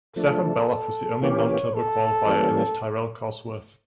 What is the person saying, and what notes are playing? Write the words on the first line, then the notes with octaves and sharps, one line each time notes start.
Stefan Bellof was the only non-turbo qualifier in his Tyrrell-Cosworth.
F3 A3 D4 A4
E3 A#3 C#4 G4 C#5
A4
E3 G3 A#3 C#4